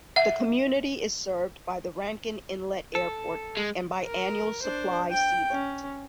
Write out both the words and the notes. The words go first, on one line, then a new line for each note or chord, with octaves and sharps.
The community is served by the Rankin Inlet Airport, and by annual supply sealift.
E5 F#5
A4
G#3
A#4
D4 C5
G5
C#4